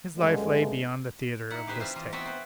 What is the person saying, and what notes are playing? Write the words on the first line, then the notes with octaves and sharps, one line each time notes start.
His life lay beyond the theatre of this tale.
F#1 G2 D3 G#3 A3
D#4 E4 F#5
G4 G#4 B4 C5 E5
G3 C4 F4 E5
E3 F4 D#5
B3 C4 F#4 B4 E5 G5
B4 C5